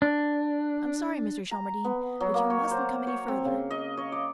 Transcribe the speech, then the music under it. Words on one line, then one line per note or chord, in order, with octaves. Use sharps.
"I'm sorry, Mr. Shelmardine, but you mustn't come any further."
D4
A#5
B3
F#3
A#3
C#5
C5
C#5
C4
C#3
D#5
C#5
D5